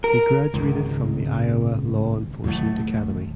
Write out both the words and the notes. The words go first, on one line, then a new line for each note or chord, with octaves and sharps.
He graduated from the Iowa Law Enforcement Academy.
A#4
G#1 C#2
D#2 A2 F#3 A3